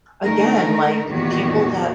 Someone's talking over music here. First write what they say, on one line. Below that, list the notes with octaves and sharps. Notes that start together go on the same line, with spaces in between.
Again, like, people that
D3 A3 D#4 A#4
E2 A#2 D#3 F#4 G4